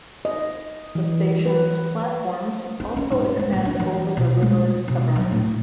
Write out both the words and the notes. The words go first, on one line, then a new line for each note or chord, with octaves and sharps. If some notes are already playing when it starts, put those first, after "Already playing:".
The station's platforms also extend over the River Severn.
D#5
E3
B4
C4
C#4
G#2
G#3
A1
D4
E3
B2
G#3
B2
F#3
A2